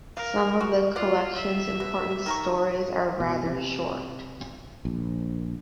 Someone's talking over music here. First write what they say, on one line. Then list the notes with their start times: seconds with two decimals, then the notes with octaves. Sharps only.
Some of the collection's important stories are rather short.
0.17 A#4 F5
0.61 F#4
0.96 F4 D5 F#5
1.36 E5
1.80 B2
2.26 D#3 A#4 C#6
3.20 B2
3.46 C3
4.85 A#1